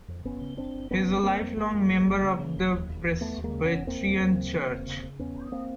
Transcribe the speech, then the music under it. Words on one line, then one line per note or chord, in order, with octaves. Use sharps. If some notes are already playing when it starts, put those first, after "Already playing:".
He is a lifelong member of the Presbyterian Church.
F2
G1 B3 C#4
C#3
G1 C4 D4
G1
G1 B3 C#4
G1
G1 A#3 C4
F2
G1 G#3 A#3
F2
G1
G1
C#3
C#3
E1
D#2
E1
D#2
E1 A3 B3
D#2
G#3 A#3
C#3
B3 C#4
E1
D#2 A#3 C4
E1
D#2
C#3
C#3
E1
C#3
C#3
E2 B3 C#4
E1
A#3 C4